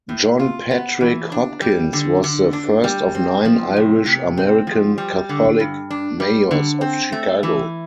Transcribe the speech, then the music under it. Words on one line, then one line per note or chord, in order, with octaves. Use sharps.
John Patrick Hopkins was the first of nine Irish American Catholic mayors of Chicago.
A2
F4
B3
E3
D4
G3
D3
D3
D4
G3
C4
F3
C3
C3
C4
F3
G3
D3
G2
D4
G3
D3
C4
A3
E3